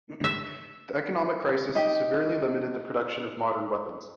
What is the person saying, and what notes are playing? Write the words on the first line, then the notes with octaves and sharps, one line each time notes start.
The economic crisis severely limited the production of modern weapons.
E5
D#4 G4